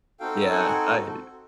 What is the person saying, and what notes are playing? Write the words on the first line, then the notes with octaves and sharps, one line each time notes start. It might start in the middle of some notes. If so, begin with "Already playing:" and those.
Yeah. I hate it.
C4 D#4 F#4 A4 F5 G5
F#5 G#5